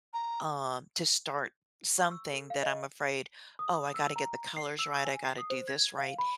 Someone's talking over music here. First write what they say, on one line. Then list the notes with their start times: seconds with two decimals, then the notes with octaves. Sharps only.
um, to start something that I'm afraid, "Oh, I gotta get the colors right. I gotta do this right."
0.13 A#5
1.98 C#6
2.11 E6
2.33 A4
2.50 F5
2.63 D#5
3.59 D#6
3.94 E6
4.16 A#5
4.57 C7
4.79 E6
5.05 G#5
5.25 C7
5.38 D#6
5.50 C5
5.68 G#6
5.98 F5
6.19 B5